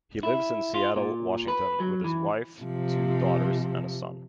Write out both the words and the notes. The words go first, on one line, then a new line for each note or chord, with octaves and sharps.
He lives in Seattle, Washington, with his wife, two daughters and son.
E4
F4
A#2
B4
F#3
E3
C3 F3